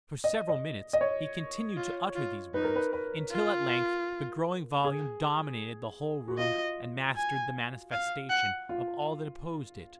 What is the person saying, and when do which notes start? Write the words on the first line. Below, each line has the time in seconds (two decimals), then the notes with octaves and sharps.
For several minutes he continued to utter these words, until at length the growing volume dominated the whole room and mastered the manifestation of all that opposed it.
0.24 D#5
0.49 D#5
0.93 D#5
1.01 C#5
1.77 F4
2.15 F4
2.54 D#4 B4
2.65 A#4
2.76 B4
2.93 B4
3.31 F4
4.85 G#4
6.28 F#4
6.38 F4 D#5
7.16 G#5
7.92 F5
8.30 F#5
8.69 F4